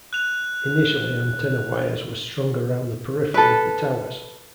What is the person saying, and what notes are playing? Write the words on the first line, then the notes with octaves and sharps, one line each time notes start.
Initially antenna wires were strung around the periphery of the towers.
F#6 F7
A4 B4